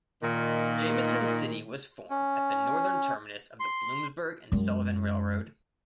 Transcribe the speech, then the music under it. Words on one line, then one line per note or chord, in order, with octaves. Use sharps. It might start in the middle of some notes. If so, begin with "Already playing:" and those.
Jamison City was formed at the northern terminus of the Bloomsburg and Sullivan Railroad.
A#2 D#3
C#4
C6
F#2 G#3